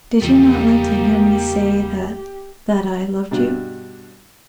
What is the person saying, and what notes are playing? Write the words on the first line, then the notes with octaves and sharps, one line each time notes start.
"Did you not like to hear me say that--that I--loved you?"
E2 C#3 F3 G3 A#3 D#4 G4
G2 B2 D4